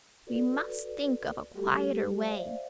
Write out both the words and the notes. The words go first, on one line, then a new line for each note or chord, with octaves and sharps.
"We must think of a quieter way!"
F#4 A4 B4 D5
G3 A3 F#4 G4 A4
C5 D5 E5 F5